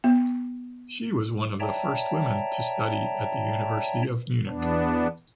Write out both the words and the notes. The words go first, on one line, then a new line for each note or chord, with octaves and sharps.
She was one of the first women to study at the University of Munich.
B3
C#5 D5 E5 G5 A5 A#5
E2 B3 D4